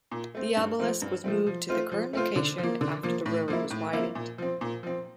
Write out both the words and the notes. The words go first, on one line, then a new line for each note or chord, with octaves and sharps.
The obelisk was moved to the current location after the road was widened.
A#2
A3 C4
G2
F3 A3 C4
G2
F3 A3 C4
F3
A3 C4 F4 C5
F3
A3 C4 F4 C5
D3
F3
A#3
D3
F3 A#3
A2
F3 A#3 E4
A2
F3 A#3 E4
A#2
F3 C4
A#2
F3 C4